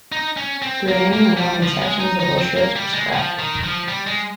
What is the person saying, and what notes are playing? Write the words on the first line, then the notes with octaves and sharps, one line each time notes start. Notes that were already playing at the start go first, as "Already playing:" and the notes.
The remaining unwanted sections of both ships were scrapped.
D#4
C#4
C4
A#3
A#3
G3
F3
G#3
D#4
D#4
C4
A#3
G3
G#3
F3
D#3
F3
G3
G#3